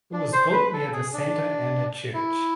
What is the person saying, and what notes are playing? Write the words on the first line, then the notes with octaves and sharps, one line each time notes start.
It was built near the Santa Ana Church.
D4
C5
B4
A4
G#4
D4
E4